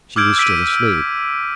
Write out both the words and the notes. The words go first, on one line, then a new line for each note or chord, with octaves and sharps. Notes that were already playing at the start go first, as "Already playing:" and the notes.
She was still asleep.
D6 E6 F6 G6 G#6 D7
E6 B6 D7 D#7